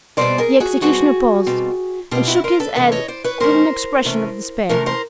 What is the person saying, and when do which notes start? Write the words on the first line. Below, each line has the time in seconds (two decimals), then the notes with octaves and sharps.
The executioner paused and shook his head with an expression of despair.
0.17 B2 G3 C4 C5 D5
0.38 G#4 A#4
0.60 F#4 G#4
0.81 B2 G3 C4 F#4 G#4
1.46 B2 G3 C4
2.11 B2 G3 C4 F4 G4
2.27 E4 F#4
2.44 A#4 C5
2.60 A4 B4
2.76 C3 E3 A3 C#4 A4 B4
2.92 C#5 D#5
3.08 C5 D5
3.24 B4 C#5
3.40 C3 E3 A3 C#4 A#4 C5
4.05 C3 E3 A3 C#4
4.69 C3 E3 A3 C#4 A#4 C5
4.86 A#4 C5